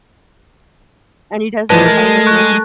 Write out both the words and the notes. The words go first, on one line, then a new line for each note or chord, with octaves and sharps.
and he does the same with me.
G2 E3 F3 G#3 B4 A5 A6
A3 A#4
C#6 F#6